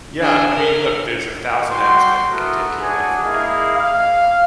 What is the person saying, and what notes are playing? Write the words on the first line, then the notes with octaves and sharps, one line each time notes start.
Yeah, I mean, look, there's a thousand apps that can take care of that for you.
D4 G#4
A#4
G3 F#4 G5 C6
A3 B3 E4 F#4 A#4
D4 F#4 G#4 F#5 G#5
A#3 E4 G#4 D#5 F5
F5